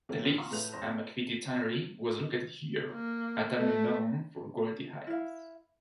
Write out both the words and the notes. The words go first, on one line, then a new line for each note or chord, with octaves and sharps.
The Leas and McVitty Tannery was located here, a tannery known for quality hides.
E3 F#3 A3 A#3 C4 C#4
A#1 E7
F5 F#5 A#5 C6 C#6 D#6
A2 A3 B4 G6 F7
F2 G#2 C5 A#6
A#3
A3
E4 F5